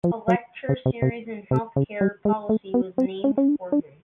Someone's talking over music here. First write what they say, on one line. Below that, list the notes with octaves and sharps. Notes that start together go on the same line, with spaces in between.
A lecture series in health care policy was named for him.
F3
F#3
C#3
C3
C3
C3
C#3
G3
G#3
A3
B3
C4
C#4
C#4
D4
D4